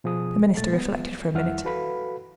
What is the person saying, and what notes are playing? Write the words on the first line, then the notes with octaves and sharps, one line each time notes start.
The minister reflected for a minute.
B2 F3 G#4 D#6
A#2 A3 A6
B3
F2 G3 E4 E5 F#5 F6
F#4 A4 B4 F5 B5